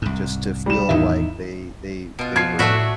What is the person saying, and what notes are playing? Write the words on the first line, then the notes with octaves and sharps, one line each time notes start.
just to feel like they they they were,
C2 G#2
G3 E7
E2 A2 D#3 D#4 E4 E5
B2 F4 D7
F3 G#6 C7
A2 A3 F#4 B4 D5 E5